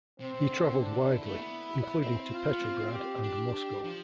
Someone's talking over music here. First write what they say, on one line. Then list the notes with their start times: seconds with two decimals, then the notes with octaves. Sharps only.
He travelled widely, including to Petrograd and Moscow.
0.20 C3 C4
0.34 C3
0.50 D3
0.80 D4
1.00 C3
1.10 D3 E4
1.26 A3
1.41 B3
2.02 C4
2.33 F4
2.51 B3
2.62 C4
2.93 G4
3.23 D4
3.53 G4
3.84 F3